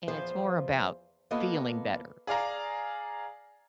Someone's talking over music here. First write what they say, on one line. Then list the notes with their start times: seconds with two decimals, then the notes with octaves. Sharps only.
And it's more about feeling better.
0.08 E2 F3 C5 F5
1.31 A#3 B3 F4 A4 D#5
2.27 G#4 D5 F5 A#5